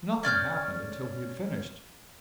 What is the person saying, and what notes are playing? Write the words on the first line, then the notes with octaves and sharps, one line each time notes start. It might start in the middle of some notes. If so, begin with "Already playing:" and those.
Nothing happened until he had finished.
C#4 D5 F6 G6